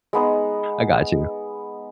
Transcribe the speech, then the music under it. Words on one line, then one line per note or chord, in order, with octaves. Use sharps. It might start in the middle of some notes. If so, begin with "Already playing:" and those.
I gotchu."
G#3 B3 D#4